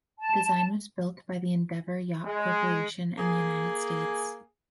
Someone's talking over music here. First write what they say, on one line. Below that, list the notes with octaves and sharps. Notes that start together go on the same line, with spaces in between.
The design was built by the Endeavour Yacht Corporation in the United States.
A5
G#3
A#3 G#4